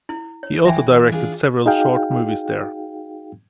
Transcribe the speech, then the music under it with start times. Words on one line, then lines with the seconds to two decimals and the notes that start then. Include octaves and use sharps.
He also directed several short movies there.
0.09 E4
0.43 C#5
0.65 E3 E5 G5 G#5
1.12 D4 F4 G#4
1.66 D#4 F#4 G#4 F5 G5